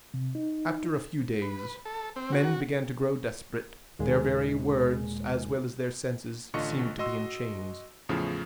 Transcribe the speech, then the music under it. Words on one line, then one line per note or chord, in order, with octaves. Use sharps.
After a few days, men began to grow desperate; their very words as well as their senses seemed to be in chains.
C3
D#4
B4
A4
C4
F#4
D#2 A#2 G#3
A1 D3 F4 D#5 C#6 C#7
F#4 D#5 C6 E6
E2 A2 C#3 F3